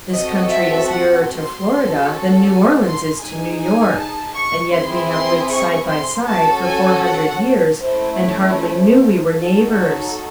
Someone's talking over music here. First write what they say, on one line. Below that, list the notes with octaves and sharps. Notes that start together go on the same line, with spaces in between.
This country is nearer to Florida than New Orleans is to New York and yet we have lived side by side for four hundred years and hardly knew we were neighbors.
C4 F#4 A4 D#5
E5
F#5
C6
C#4 F#4 A4
G#5
C6
D#4 G#4 G#5
G#5
A5
C#6
C4 E4 G#4 C6
C6
C#6
C6
C#4 F#4 A4 A5
G#5
F#5
A3 C#4 E4 C5
C#5
C5
D#4 F#4 A4
C#5